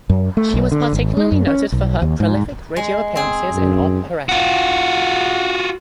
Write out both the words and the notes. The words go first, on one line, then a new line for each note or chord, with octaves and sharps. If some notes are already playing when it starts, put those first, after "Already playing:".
She was particularly noted for her prolific radio appearances in operetta.
F#2
A3
B1
D3
G#1
G#3
F#2
C#4
B1
D#2
G#2
G#3
C4 G#4
F#2
F4 F#4